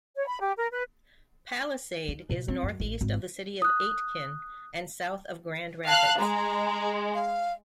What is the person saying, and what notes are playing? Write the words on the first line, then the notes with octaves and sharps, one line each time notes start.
Palisade is northeast of the city of Aitkin and south of Grand Rapids.
C#5
B5
G4
A#4
B4
D#4
B2
C4
F#2
A1
G#1
D#6 F#6
F5 A5 F#6
G#3 A#5
F5